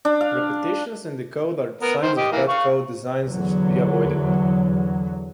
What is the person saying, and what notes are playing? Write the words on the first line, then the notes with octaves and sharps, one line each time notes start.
Repetitions in the code are signs of bad code designs and should be avoided.
D4
F5
B3 A#4
D#3 C5
G4 D#5
E3 A#3
F5 C#6
E2 D3 F#3